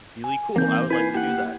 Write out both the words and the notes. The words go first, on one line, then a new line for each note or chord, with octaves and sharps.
really cool. I would like to do that."
G#5
E3 A#3 C4 D#4 G6
E4 B4 G#5 C7
A#3 G4 F#5